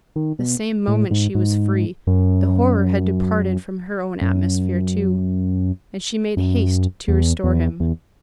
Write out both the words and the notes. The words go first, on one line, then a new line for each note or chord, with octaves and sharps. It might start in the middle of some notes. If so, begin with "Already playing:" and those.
The same moment she was free; the horror had departed from her own atmosphere too, and she made haste to restore him.
D#3
B2
A2
G#2
G#2
F#2
F#2
F#2
E2
E2
E2